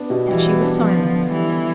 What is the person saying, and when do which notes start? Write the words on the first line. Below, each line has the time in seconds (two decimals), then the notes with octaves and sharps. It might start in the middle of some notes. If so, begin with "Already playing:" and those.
But she was silent.
Already playing: B3 D4
0.10 B2
0.28 E3 G3
0.45 B3
0.62 D4
0.79 F3 B3
0.97 D3
1.14 D3
1.31 E3 G3
1.49 B3